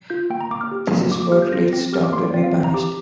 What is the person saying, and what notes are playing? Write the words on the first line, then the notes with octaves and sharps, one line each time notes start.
This is what leads Tom to be banished.
F4 G6
A#3 G5
A#5
A#3 D6
F6
G4
A#3
A#3 D6
D6
G4 F6
G6
F4 A#6
C4 A#6
G4 F6
D6
A#3 C6
D5
C4 D5
F5
C4 G5
A#5
G4 D6